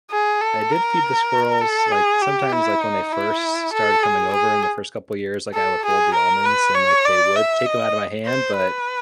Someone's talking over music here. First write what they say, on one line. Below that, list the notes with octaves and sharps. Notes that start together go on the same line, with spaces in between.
I did feed the squirrels, like, sometimes, like, when they first started coming over in the first couple years, like, I would hold the almonds, and, like, they would take them out of my hand, but
G#4
A4
A#4
A4
G#4
G4
E4
D#4
E4
A4
G#4
G#4
A4
G#4
A#4
B4
C#5
D5
E5
D#5
C5
B4